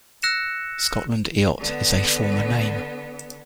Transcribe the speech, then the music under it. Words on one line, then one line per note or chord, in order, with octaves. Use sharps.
"Scotland Eyot" is a former name.
E6 F#6 A#6 C#7 E7
D3 B3